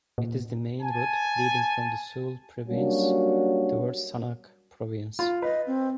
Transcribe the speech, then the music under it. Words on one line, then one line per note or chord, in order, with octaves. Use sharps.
It is the main route leading from the Sool province towards Sanaag province.
A#2
G#5 A5
F#3 G3 A#3 C#4 D4 F#4
F4
B4 D#5
C4